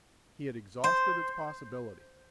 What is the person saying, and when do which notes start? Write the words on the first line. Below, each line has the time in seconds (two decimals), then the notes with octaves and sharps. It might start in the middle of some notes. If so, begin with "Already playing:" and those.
He had exhausted its possibilities.
0.84 C5